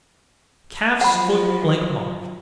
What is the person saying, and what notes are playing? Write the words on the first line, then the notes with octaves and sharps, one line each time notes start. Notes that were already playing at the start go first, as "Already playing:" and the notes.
Calf's Foot Blancmange.
F3 F#3 F#5 B5